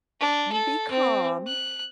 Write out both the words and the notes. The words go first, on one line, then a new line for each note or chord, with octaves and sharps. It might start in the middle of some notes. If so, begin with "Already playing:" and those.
you be calm,
D4
A4
C4
F#6